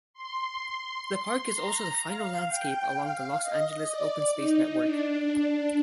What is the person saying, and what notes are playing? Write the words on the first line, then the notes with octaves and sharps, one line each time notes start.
The park is also the final landscape along the Los Angeles Open Space Network.
C6
A#5
F5
G5
F5
D#5
D5
D#4
D4